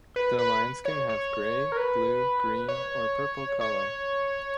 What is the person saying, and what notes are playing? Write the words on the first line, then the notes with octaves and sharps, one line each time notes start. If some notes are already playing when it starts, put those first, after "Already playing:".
The lines can have gray, blue, green or purple color.
B4
B4
C#5
C#5
A#4
B4
C#5
C#5